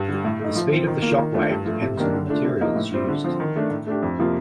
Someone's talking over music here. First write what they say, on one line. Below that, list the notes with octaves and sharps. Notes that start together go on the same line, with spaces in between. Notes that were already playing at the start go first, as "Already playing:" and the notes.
The speed of the shock wave depends on the materials used.
Already playing: G2
D3 G3
A2
A3 D#4
F3
C4 F4
D#3
A#3
F4
D#3
A3 D4 F4
G2
F3 A3
C3
D#3 A#3 D4 G4
D3
A3 D4 F4
C3
F3 A#3 D#4
A2
G3 C4 F4
D3
F3 C4
D#3
A3 D4
A2
A3 D4 G4
F2
C3 F3 A#3 F4